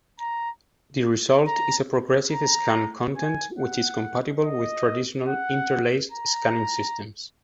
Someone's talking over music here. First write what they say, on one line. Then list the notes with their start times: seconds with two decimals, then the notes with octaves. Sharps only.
The result is a progressive-scan content, which is compatible with traditional interlaced scanning systems.
0.20 A#5
1.47 A#5
2.32 A#5
3.17 G#5
3.59 F#5
4.43 D#5
5.28 F#5
6.12 A#5